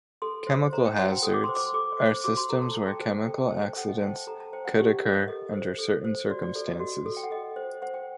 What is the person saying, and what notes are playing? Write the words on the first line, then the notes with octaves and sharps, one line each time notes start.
Chemical hazards are systems where chemical accidents could occur under certain circumstances.
A4 C6
C5
C5 A#5
G5
F#4 F#5
G5
A4 D#6
D6
C6
C5
D6
A4 D6
C5
F#4 D6
C6
A4 A#5
A5
A4 A5
G5
C5 A5
A4 G5
A5
C5 G5
A4 F#5
D#5
A5
C5 G5
A5
A4 A#5
A5
C5 G5
F#5
G4 D#5
A#4
A4 D#5
C5
A4
C5
F#4 D5
D5
A4 D5
D#5
F#4
A4
G5
F#5
A4 D#5
C5
C5 F#5
G5